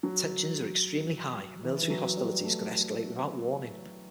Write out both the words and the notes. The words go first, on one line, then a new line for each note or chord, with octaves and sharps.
Tensions are extremely high and military hostilities could escalate without warning.
F#3
E3
E3
F#3
G3
A3